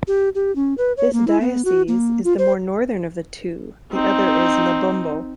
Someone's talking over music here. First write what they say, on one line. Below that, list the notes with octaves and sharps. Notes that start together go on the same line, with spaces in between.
This diocese is the more Northern of the two, the other is Lebombo.
G4
G4
C#4
B4
C#5
A#3
E4
B3
F#4
A#3
F4
C5
C4 D#4